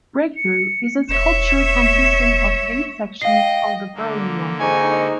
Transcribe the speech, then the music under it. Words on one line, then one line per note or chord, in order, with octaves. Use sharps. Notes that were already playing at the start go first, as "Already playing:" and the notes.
"Breakthrough" is a sculpture consisting of eight sections of the Berlin Wall.
C#7
E1 C#5 E5 E7
D#5 F5 G5 C7
D3 A#3
F2 G#2 D#4 G#5 C#6